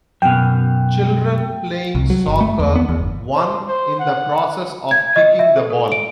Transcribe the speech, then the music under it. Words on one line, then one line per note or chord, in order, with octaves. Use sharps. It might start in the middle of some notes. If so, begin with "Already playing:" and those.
Children playing soccer, one in the process of kicking the ball.
F#2 B2 G5
C2
F#3
G1
A3
E2
B3
E2
G1
C5
C5
F#5
G#6
D#5
E5
A4
A4
D7